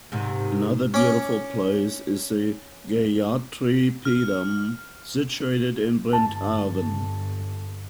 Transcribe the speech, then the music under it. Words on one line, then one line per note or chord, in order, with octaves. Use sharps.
Another beautiful place is the Gayathri Peedam, situated in Brindhaven.
G#2 C3 D#3
C#4 D6
F6
G1 A5